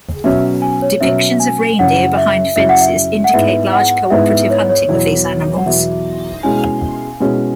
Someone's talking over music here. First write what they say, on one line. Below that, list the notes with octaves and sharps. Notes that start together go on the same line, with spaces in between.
Depictions of reindeer behind fences indicate large cooperative hunting of these animals.
B2 F#3 C#4 E5
G#5
C#5
B2 F#3 C#4 E5
G#5
F#2 C#3 F#3 C#4 E4 F#5
E5
F#2 C#3 F#3 C#4 E4 E5
F#5
E5
F#5
G#2 G#3 B3 E4 E5
F#5
G#2 G#3 B3 E4 E5
E5
C#5
C#5
E2 B2 F#3 E4
F#5
E2 B2 F#3 E4 E5
B2 G#3 C#4 E4 G#5
B2 G#3 C#4 E4